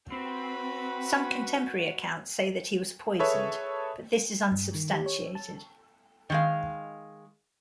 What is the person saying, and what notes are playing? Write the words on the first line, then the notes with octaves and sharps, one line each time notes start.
Some contemporary accounts say that he was poisoned, but this is unsubstantiated.
C4 F#4 B4 B5
G#4 A4 B4 C#5 E5
G2
D#3
G4
C#5
A5
D#3 G#3 F5